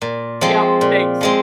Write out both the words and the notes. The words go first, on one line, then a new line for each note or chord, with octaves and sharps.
Yep. Thanks.
A#2
F3 G#3 C4
A#2
F3 G#3 C4